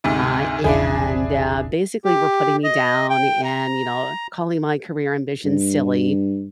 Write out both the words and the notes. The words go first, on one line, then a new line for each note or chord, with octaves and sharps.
uh, and, uh, basically, were putting me down and, you know, calling my career ambition silly,
D2 G#2 C3
E1 A#1 E2 D4 E4 G#4
G4
D#5
G5
A#5
G2